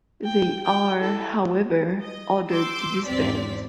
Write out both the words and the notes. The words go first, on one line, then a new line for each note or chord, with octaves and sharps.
They are, however, ordered to disband.
G5
G5
E4 A4
D#5
C6 D6 E6 G6
G#1 E2 C3 C4 D5 B6